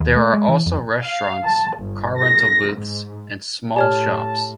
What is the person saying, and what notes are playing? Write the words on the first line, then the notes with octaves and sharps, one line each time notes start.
There are also restaurants, car rental booths and small shops.
D#2
A3
G#3
E3
F2
F5
A5
G1
A#6
G#2
A2 G4 C#5 A5 F6